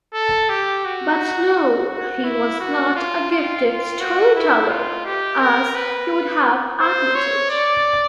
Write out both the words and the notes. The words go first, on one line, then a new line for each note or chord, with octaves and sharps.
But, no, he was not a gifted storyteller, as he would have admitted.
A4
G4
F#4
F#4
E4
F#4
F4
F4
F4
F#4
E4
F4
G4
A#4
B4
C5
C#5
D5